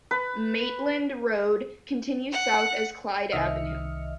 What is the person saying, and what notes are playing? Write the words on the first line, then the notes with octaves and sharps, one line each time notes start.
Maitland Road continues south as Clyde Avenue.
B4
F#5
C2 D#3 D#5 E5 F6 C#7